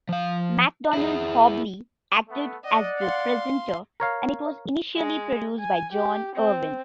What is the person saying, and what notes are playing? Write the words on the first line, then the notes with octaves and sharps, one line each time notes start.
McDonald Hobley acted as the presenter, and it was initially produced by John Irwin.
F3 F5
E4 G#4
A3 B3
D5 D#5 F#5
F5 C6
A#4 C#5 F5
G#3
G#5
G4
C4